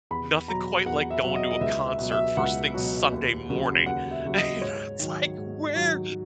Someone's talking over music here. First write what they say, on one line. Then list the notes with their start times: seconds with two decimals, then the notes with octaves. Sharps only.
Nothing quite like going to a concert first thing Sunday morning, and you know it's like, "Where"
0.11 E2 B5
0.48 B2 F#3 A#5
0.86 E2 F#5
1.11 E5
1.23 B2 F#3
1.36 D#5
1.51 D#5
1.61 C#2 E5
1.87 E5
1.98 B2 F#3
2.12 E5
2.37 C#2 F#5
2.74 B2 F#3
3.12 D#2
3.49 C#3 F#3
3.86 D#2 F#5
4.11 E5
4.25 C#3 F#3
4.37 D#5
4.61 G#2 C#5
5.00 D#3 F#3
5.38 G#2
5.75 D#3 F#3